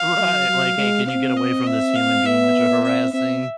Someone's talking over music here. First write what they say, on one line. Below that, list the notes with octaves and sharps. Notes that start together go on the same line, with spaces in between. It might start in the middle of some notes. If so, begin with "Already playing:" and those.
Right, like, "Hey, can you get away from this human being that you're harassing?"
Already playing: F5
F#3
F#3
G#3
C4 F5
D#5
E5
F5
B3 E5
C4 E5
C4 E5